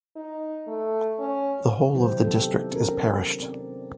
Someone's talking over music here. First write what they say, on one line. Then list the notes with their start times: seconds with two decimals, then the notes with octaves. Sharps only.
The whole of the district is parished.
0.16 D#4
0.68 A3
1.19 C#4
1.93 C3 D#3 F#3 E4 G4 C5
2.24 B3 C4 D#4 G4 A4
2.72 C#4 A4 A#4
3.40 C4 D5